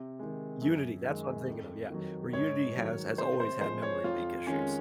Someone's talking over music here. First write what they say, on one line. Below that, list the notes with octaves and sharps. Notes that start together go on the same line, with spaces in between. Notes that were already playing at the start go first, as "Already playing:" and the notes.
Unity, that's what I'm thinking of, yeah, where Unity has has always had memory leak issues,
Already playing: C3
D#3 G#3
F#2
D#3 G#3
F2
D#3 F#3
G#2 C#5
D#3 F#3
C3 C5
C5
F3 G#3 C5
C#5
F2 F4
D#3 G#3 C#4